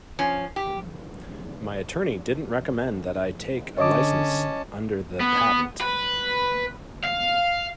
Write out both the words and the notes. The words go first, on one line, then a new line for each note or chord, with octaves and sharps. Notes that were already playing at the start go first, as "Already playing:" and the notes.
My attorney didn't recommend that I take a licence under the patent.
F3 C#4
G4
D3 C#4 C#5 D#5 A5 D6
B3
B4
F5